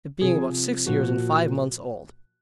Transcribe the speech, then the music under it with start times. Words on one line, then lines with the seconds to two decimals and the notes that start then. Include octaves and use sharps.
It being about six years, and five months old.
0.21 C3 F3 G#4
0.86 A#2 F3 F#4